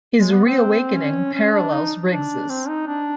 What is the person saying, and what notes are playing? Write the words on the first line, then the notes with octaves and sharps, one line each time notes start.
His reawakening parallels Riggs'.
G#3
B3
C4
C#4
C#4
D4
D#4
D4
C4
D#4
D4